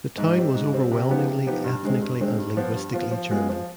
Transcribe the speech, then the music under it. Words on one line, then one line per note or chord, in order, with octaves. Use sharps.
The town was overwhelmingly ethnically and linguistically German.
G#2
G3 C4
G#2
G3 C4
C3
F3 B3 D#4 G4
C3
F3 B3 D#4 G4
G2
D3 G#3 C4
G2
D3 G#3 C4
G2
F3 B3 F4
G2
F3 B3 F4
F3
G#3 B3 F4 G#4
F3